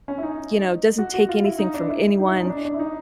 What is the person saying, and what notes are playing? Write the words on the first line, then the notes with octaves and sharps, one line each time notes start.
you know, doesn't take anything from anyone,
C#4
E4
D#4
F#4
F#4
F4
E4
D#4
D4
E4
D#4
E4
D#4
C#4
D4
D4
E4
D#4